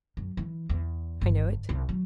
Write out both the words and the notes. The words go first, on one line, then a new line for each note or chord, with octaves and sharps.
"I know it."
F#2
E3
E2
G1
C2
F#3